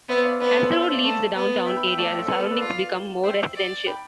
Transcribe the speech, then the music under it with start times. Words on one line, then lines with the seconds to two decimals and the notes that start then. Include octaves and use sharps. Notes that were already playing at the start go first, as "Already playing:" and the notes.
As the road leaves the downtown area, the surroundings become more residential.
0.09 B3 C5 E5
0.24 D5 F5
0.40 B3 B4 D5
0.56 A4 C5
0.72 A4 C5
0.82 C5 E5
0.93 D5 F5
1.03 A3
1.35 B3
1.66 E5 G5
1.77 G5 B5
1.87 E5 G5
1.98 A3 D5 F5
2.08 E5 G5
2.19 A4 C5
2.29 B3 A4
2.40 A4
2.50 B4 D5
2.61 F4 D5 F5
3.24 C5 E5 G5
3.55 D5
3.87 G5 B5